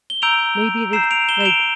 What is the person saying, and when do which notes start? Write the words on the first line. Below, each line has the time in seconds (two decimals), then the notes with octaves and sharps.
maybe they c like,
0.10 G7
0.22 A#5 E6 G6 D7 F7
0.93 A#5 E6 G6 C7 E7
1.11 D7 F7
1.28 E7 G7
1.40 E7
1.45 D7 F7